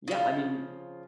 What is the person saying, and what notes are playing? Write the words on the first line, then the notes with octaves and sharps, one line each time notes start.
Yeah, I mean
C#3 F3